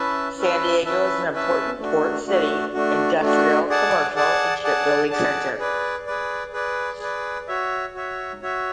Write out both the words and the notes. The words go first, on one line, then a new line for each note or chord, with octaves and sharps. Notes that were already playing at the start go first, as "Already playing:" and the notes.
San Diego is an important port city, industrial, commercial, and shipbuilding center.
Already playing: C#4 E4 B4 E5 A5
C#4 E4 B4 E5 A5
C#4 E4 B4 E5 A5
C#4 E4 B4 E5 A5
A3 D4 F#4
A3 D4 F#4
A3 D4 F#4
A3 D4 F#4
G#4 D5 F#5 A5
G#4 D5 F#5 A5
G#4 D5 F#5 A5
G#4 D5 F#5 A5
G#4 B4 D5
G#4 B4 D5
G#4 B4 D5
G#4 B4 D5
F#4 C#5 E5
F#4 C#5 E5
F#4 C#5 E5